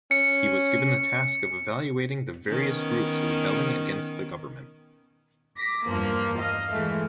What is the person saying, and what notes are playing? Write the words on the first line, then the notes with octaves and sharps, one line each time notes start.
He was given the task of evaluating the various groups rebelling against the government.
C#4 C#7
D#3 B3 C#4
D6 A#6 B6
E2 G2 F3 A#3
D#5 F5
E3 G#3 A3